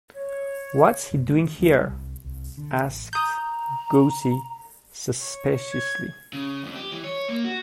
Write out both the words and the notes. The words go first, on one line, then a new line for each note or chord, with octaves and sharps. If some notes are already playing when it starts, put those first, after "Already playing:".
'What's he doing here?' asked Gussie suspiciously.
C#5
F#1
G#3
D#3
D2
G3
C2
C2
D3
A1
A#5 D#6 G6
C#5
G#6
C#3
F2
G4
E3
C#5
A#3
F#4